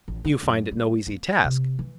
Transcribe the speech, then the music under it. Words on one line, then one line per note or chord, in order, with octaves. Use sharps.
You find it no easy task.
A1
D3
F#2
G3
A#3
C3
E3